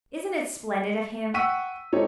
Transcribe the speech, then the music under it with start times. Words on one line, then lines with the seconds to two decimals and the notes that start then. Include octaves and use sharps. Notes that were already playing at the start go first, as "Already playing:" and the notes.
Isn't it splendid of him?
1.34 F#5 G5 C#6 E6 B6 D#7
1.93 C4 D#4 E4 G4 A4 C#5